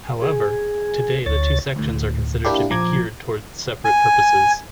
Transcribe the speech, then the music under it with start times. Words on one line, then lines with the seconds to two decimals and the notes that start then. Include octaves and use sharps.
However, today the two sections are considered to be geared toward separate purposes.
0.22 G#4
1.26 D2 C#5 A6
1.76 D2 A2
2.45 A#3 D4 E4 G4
2.70 A#1 F3 A#5 D6 G#6
3.85 G#5